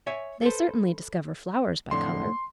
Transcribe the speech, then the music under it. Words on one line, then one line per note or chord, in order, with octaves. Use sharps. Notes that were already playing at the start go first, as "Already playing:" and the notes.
They certainly discover flowers by colour.
C#5 E5 G#5
A4 B4 C5
F2 A2 D3 C6